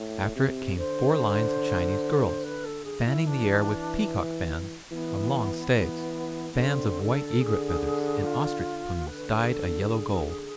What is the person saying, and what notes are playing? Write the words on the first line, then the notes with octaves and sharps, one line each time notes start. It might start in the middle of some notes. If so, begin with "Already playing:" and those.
After it came four lines of Chinese girls, fanning the air with peacock fans on long staves, fans of white egret feathers, and ostrich plumes dyed a yellow gold.
Already playing: A2
C3
D3 C5
B4
A4
G#4
E4
E3 D4
E3 B3
E3 B3
B3
D3 C4
A4
D3 G#4
F4
D3 B4
G#4
A4
G#4